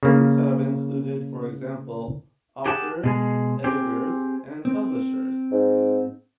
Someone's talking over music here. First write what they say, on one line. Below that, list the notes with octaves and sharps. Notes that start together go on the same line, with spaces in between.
These have included, for example, authors, editors, and publishers.
C#3 A#3
G4 G#4 F#5 A5
B2 G#3 G#4
C4 G4 G#4
C4
G#2